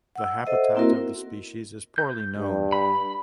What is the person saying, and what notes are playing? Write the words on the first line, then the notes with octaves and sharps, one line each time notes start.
The habitat of the species is poorly known.
F#5 E6
A4 C5 D#5 E5 F#5
A#3 C4 E4 F#4 A#4
G6
G2
B5